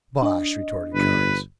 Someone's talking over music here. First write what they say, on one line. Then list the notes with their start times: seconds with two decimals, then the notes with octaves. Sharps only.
"Bosh!" retorted Carnes.
0.22 D4 D#5
0.94 G1 B4